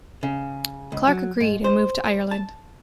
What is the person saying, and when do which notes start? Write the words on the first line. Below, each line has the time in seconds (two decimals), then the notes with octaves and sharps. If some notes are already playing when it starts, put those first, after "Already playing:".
Clarke agreed and moved to Ireland.
0.23 C#3
0.92 C#2
1.07 F#3
1.41 G#2
1.64 C5
2.31 A5